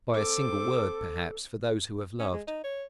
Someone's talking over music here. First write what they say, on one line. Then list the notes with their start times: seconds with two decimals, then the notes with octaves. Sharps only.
By a single word, perhaps, for those who have loved.
0.13 C4 A4 D6
2.19 C#4
2.33 G#3
2.48 D#4
2.64 C#5